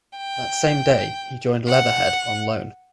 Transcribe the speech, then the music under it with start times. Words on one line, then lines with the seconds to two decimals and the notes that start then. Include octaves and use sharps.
That same day he joined Leatherhead on loan.
0.17 G5
1.68 F#5